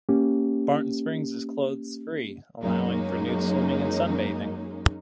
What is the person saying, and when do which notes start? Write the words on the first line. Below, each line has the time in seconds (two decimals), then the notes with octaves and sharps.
Barton Springs is clothes free, allowing for nude swimming and sunbathing.
0.09 A#3 C#4 G4
2.62 F#2 F#3 G#3 A#3 C#4 D#4